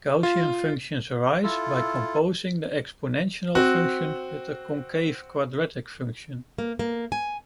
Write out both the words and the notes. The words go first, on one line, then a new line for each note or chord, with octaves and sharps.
Gaussian functions arise by composing the exponential function with a concave quadratic function.
F4
E4 F4 A4
C4 F#4
A#3
A#3
G#5